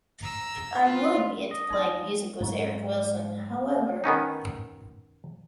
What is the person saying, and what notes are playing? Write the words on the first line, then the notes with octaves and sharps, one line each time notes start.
I would be into playing music with Eric Wilson, however.
A#5 E6
F4 B4
D#5
F#3 D#4 C6
G#2 F#3
D#3 B3 C#4 D#4